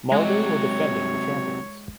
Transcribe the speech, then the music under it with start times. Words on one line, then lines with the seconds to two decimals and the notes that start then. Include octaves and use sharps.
Molde were the defending champions.
0.12 C3 F#3 G#3 C#5